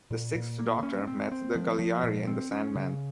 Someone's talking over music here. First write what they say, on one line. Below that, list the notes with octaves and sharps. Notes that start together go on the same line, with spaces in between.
The Sixth Doctor met the Galyari in "The Sandman".
A#2
A#2
A#3
C#4
C4
C4
F3
F3
A#2
C4
C#4
C#3